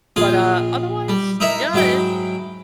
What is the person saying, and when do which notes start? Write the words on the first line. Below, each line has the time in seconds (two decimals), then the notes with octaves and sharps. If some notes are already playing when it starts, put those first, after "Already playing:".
But, uh, otherwise, yeah, it
0.16 A#1 F4 G#4
1.08 G3
1.40 D#4 E4 A#4 E5
1.73 G#2 F#3 E4 G5